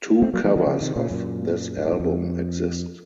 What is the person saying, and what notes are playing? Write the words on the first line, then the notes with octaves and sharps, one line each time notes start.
Two covers of this album exist.
A3 C4
F#3 A#3
F3 A3
D#3 F#3
C#3 F3
C3 D#3
A#2 C#3
F#2 A#2
A#2
A2
F#2
F2